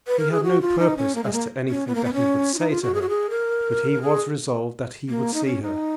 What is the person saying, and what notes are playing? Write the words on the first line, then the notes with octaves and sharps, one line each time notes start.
He had no purpose as to anything that he would say to her, but he was resolved that he would see her.
B4
A#4
G#4
F#4
F4
D#4
C#4
A#3
G#3
A#3
C#4
B3
A#3
B3
C#4
F4
D#4
F4
F#4
G#4
F#4
G#4
A#4
G#4
A#3
D#4
C#4
D#4